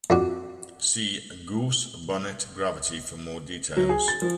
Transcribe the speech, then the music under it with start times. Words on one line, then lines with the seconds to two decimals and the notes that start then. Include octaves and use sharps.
See Gauss-Bonnet gravity for more details.
0.10 F2 D4 F#4
3.77 F#3
3.89 G#4
4.08 A6
4.22 F3